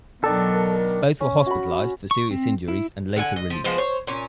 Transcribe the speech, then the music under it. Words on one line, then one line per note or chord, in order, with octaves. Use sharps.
Both were hospitalized for serious injuries and later released.
B2 D#3 F#3 D4 A4 A5
A#4
C#4
F#4 B5
C#6
C4
E4
D3 F#5 G#5
D#5
F3
F3 G#3 B3 C5
C5 C#5
A#2 C#4